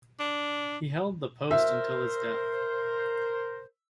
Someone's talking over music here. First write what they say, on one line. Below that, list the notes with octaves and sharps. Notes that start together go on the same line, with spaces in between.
He held the post until his death.
D4
A#4 C5 E5